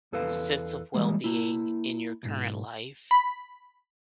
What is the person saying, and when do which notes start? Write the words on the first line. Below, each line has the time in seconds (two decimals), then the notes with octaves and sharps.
sense of well-being in your current life?
0.12 E2 A4 B4 F5
0.94 E3 G3 G#3 A#3
1.24 A#3 E4
2.23 B1 G#2
3.11 B5